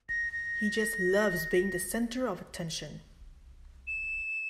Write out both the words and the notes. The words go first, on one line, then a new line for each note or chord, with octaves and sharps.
He just loves being the center of attention.
A#6
A#6
E7